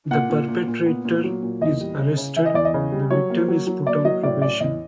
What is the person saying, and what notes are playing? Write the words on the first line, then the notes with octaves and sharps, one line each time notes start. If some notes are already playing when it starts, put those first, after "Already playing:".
The perpetrator is arrested; the victim is put on probation.
A#2 F#5
A#2
A#2
A#2
B3
A#2
F#3
A#2
E2 D#5
G3
C#3
C#3
E3 E5
D#5
E2 D5
D#5
C#3
G3
F#3 C#5
A#3
F#3
F#3
A#3 D5
F#3 D#5
A2 D5
C#4 D5
E2 D#5